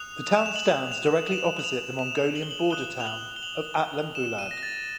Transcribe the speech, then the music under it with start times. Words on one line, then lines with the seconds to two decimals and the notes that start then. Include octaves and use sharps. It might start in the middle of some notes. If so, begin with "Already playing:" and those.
The town stands directly opposite the Mongolian border town of Altanbulag.
Already playing: D#6 F#6 F7
0.36 E7
0.46 F7
0.56 F#7
0.92 F7
1.27 E7
1.59 F#7
1.64 F7
1.99 E7
2.36 F#7
2.43 G7
2.51 F#7
2.71 D#6 F#6 G7
3.00 F7
3.07 F#7
3.36 G7
3.43 F#7
4.15 E7
4.39 D#7
4.51 A#6
4.63 A6